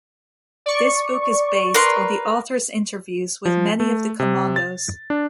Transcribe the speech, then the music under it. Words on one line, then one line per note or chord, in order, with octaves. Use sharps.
This book is based on the author's interviews with many of the commandos.
D5 C#6
A#4 B4 C6
F3
A3
C3
A6
D4